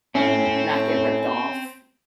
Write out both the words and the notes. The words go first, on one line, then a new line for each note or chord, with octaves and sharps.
And not get ripped off.
A2 C4 C#4